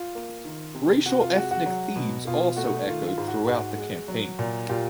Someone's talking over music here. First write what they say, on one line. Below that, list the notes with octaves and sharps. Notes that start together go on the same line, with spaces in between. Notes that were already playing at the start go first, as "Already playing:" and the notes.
Racial-ethnic themes also echoed throughout the campaign.
Already playing: F4
A#3
D#3
C3
C3 F#4
F4
G#3 F#4
F#4
F#3
B2
B2 F4
A3 F#4
D#3 F4
F4
G#2
F#4
G#2 F#4
G#3
F#3
A#2
A#2 F4 G4